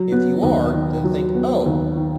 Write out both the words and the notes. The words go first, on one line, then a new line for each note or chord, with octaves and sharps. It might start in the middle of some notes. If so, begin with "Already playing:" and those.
If you are, then think Oh!
Already playing: F#3
B3
D#2
D#3
F#3
B3
D#2
D#3